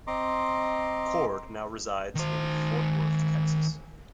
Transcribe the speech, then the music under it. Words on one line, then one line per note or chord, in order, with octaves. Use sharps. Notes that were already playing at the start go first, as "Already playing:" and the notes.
Cord now resides in Fort Worth, Texas.
C4 D#5 A#5 C6 D6
D#3 C5